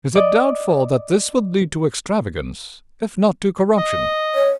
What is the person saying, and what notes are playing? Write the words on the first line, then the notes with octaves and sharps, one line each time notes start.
Is it doubtful that this would lead to extravagance, if not to corruption?
D5 D#5
D#5
C#5